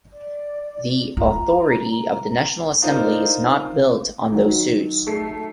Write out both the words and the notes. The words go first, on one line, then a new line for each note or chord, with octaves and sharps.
The authority of the national assembly is not built on those suits.
D5
F4 A#5
D4 D#4 F4 A#4 C5 D#5
D#3 F#3
A3 C7